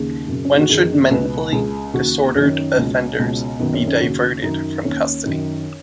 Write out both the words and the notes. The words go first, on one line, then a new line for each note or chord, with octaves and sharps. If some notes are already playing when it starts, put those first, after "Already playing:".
When should mentally disordered offenders be diverted from custody?
Already playing: D#2 C#3 G#4
F#2 C#3
C#4
D#4
F#4
F#2 D#3 G#4
C#2 B2 B4
C#2 C#3 G#4
D#2 C#3 F#4
F#2 D#3 C#4
C#2 B2
C#2 B2
F#2 D#3 B3
C#4
C#4
D#2 C#3 F#4
F#2 D#3 D#4
D#2 D#3 C#4
F#2 D#3